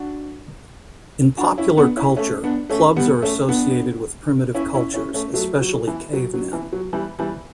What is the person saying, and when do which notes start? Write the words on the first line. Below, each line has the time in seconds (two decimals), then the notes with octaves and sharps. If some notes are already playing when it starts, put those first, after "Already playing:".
In popular culture, clubs are associated with primitive cultures, especially cavemen.
Already playing: D4 F#4
1.38 D4 F#4
1.58 C#4 E4
1.78 B3 D4
1.97 C#4 E4
2.17 A3 C#4
2.44 B3 D4
2.70 A3 C#4
2.96 G3 B3
3.22 A3 C#4
3.49 B3 D4
4.55 C#4 E4
4.74 C#4 E4
4.94 C#4 E4
5.14 A3 C#4
5.34 F#3 A3
5.61 F#3
5.87 E3
6.13 F#3
6.34 F#3
6.53 E3
6.73 F#3
6.93 E3 G3
7.19 E3 G3